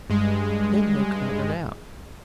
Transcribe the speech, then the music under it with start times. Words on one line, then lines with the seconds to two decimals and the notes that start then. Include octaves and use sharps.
Then they clambered out.
0.10 G2 G#3